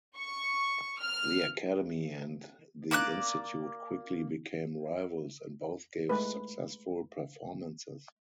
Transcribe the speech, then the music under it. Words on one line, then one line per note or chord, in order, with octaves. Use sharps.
The Academy and the Institute quickly became rivals, and both gave successful performances.
C#6
F6
A#3 D5 B5 F#6
G#3 A3 B4